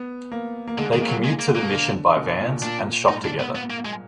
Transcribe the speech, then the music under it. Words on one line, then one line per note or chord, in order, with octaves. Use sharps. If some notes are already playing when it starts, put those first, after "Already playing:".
They commute to the mission by vans and shop together.
Already playing: B3
A#3
A#3
D3 G#3
D#3
A#3
F#3
G#3
A#3
A#3
B2
D3
B2
A#2
A#2 D4
G#2 D#4
D4
B3
B3
A#3
G#3